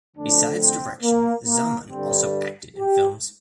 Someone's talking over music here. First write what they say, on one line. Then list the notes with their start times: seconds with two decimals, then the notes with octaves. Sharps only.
Besides direction Zaman also acted in films.
0.17 F2 D3 A3 D4
0.61 C4
1.03 A#3
1.46 A#3
1.90 G2 D3 G3 C4
2.77 G4